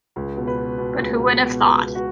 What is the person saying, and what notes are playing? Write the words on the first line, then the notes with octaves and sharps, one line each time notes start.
But who would have thought?
C#2
B2
B4
B2
B2
C#2
B2
B2
C#2
B2
F#4